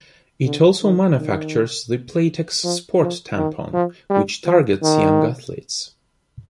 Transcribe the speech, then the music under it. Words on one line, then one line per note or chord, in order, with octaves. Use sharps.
It also manufactures the Playtex Sport tampon, which targets young athletes.
D3
D#3
D#3
F3
F3
D#3
F3
G3
F3
D#3